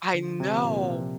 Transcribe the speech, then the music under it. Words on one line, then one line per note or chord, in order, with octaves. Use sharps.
I know.
D3
C3
F3 A#3 F4
A#2
C3 F3